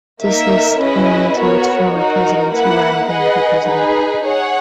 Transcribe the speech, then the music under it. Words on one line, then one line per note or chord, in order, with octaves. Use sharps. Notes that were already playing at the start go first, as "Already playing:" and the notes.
This list only includes "former" presidents who ran again for president.
A#3 D#4 A#4 E5
C#4 E4 G#4 B4 D#5
B3 F#4 A#4 C#5
D#4 F#4 A#4
A#3 E4 B4 F#5
G#4 B4 D#5 F#5
D#4 G#4 B4
G#4 C#5 F#5